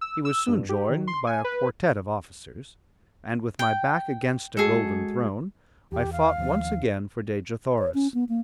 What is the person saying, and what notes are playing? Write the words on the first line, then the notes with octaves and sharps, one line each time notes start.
He was soon joined by a quartet of officers, and, with my back against a golden throne, I fought once again for Dejah Thoris.
E6
E6
G2
G4
D#3
C6
G#5
B4
G5
G#3 F#4 G#4 A4
E2 G4
F5
D#2 F3
C#5
C#4
B3
A#3